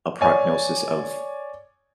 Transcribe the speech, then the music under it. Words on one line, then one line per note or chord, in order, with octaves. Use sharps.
a prognosis of
C#5 D5 G#5